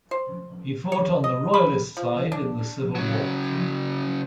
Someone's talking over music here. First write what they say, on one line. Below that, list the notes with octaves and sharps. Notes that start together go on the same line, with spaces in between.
He fought on the Royalist side in the Civil War.
C5
C#5
D#5
B5
F3
D4
C#3 F#3